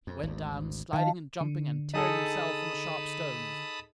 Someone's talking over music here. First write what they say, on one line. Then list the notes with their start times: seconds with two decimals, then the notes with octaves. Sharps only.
He went down, sliding and jumping and tearing himself on the sharp stones.
0.07 F2
0.23 G#1 D2
0.93 D#3 F5 A5
1.41 D3
1.94 D#4 G#4 A4 A5 B5 D#6